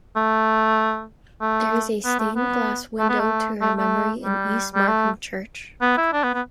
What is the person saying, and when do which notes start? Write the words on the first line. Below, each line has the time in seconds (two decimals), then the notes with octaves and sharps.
There is a stained glass window to her memory in East Markham Church.
0.16 A3
1.41 A3
2.05 B3
2.19 A3
2.36 B3
2.99 A3
3.09 B3
3.20 A3
3.61 A3
3.77 A3
4.24 G3
4.74 G3
4.88 A3
5.81 B3
5.98 E4
6.13 D4
6.23 B3
6.34 B3